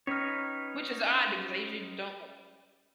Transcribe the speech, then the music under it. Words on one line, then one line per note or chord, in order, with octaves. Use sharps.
Which is odd because I usually don't like it.
C#4 D#4 B4 C#5 F6